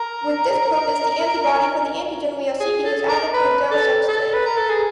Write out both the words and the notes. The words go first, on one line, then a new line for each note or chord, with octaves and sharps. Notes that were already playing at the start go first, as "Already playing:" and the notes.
With this purpose, the antibody for the antigen we are seeking is added to the gel substrate.
Already playing: A#4
G#4
A4
A#4
B4
A4
A4
B4
A#4
A4
G#4